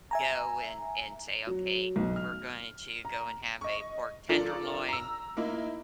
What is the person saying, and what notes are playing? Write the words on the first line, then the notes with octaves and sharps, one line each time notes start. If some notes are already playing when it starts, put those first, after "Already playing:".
go and and say, "Okay, we're going to go and have a pork tenderloin,"
E5 G#5 A#5
F#3
B1
F6
A#5
D#5 C#6
F3 D4 F4 A4 A#4
A#5 E6
A#3 D#4 E4